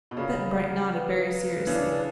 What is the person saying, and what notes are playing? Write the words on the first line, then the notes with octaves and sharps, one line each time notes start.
Button-Bright nodded, very seriously.
B2
A#2 C#3 B5
F#5
B4
B4
C#3 E3 D4